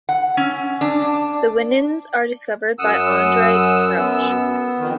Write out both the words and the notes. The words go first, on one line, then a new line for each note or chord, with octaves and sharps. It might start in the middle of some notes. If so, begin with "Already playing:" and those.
The Winans were discovered by Andrae Crouch.
F#5
C#4
D4
F#2 F#5 D#6 E6
B3
F2 D#3